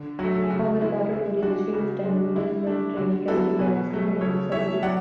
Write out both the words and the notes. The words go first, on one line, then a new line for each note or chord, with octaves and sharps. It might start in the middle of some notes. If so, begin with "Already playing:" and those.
However, Porter tore his Achilles tendon in training camp, requiring season-ending surgery.
Already playing: D3
F#3 A3 F#4
A4
G#4
C#3 F#4
G#3 C#4 E4
E3 E4
G#3 D4 F#4
C#3 F#4
G#3 D4
D3 E4
A3 D4
D3 F#4
F#3 B3 E4 F#4 A4
B2 G#4 B4
F#3 A3
C#3 A4 C#5
E3 A3 C#5 E5
F#3 D5 F#5